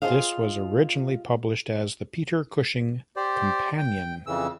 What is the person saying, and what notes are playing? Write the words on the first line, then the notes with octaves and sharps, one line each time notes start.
This was originally published as "The Peter Cushing Companion".
F4 F#4 G#4 C5 D#5 F5
G4 C5 D5
G5
F2 C#3 E3 E6